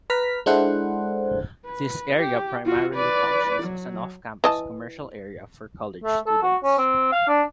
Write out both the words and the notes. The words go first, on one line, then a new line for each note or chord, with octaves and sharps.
This area primarily functions as an off-campus commercial area for college students.
B4 A#5 F6 B6
G#3 D4 E4 A4 C5 F#5
B4
G4
F4 F#4
B4 D5
F#3
E3 D#5 A5
A3
A4
F#4
C#4
C4
F5
D4